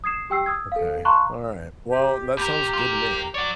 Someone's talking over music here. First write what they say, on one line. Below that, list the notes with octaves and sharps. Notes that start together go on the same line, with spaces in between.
Okay, all right, well, that sounds good to me.
D#6 G#6 C7 E7
G4 G5 E6 C7
D#6 E6 G#6
A4 F5
F5 A5 A#5 C6 C#6 F#6
G4
D#2 G4 A#4
F4 A#4
C#5 D5 F#5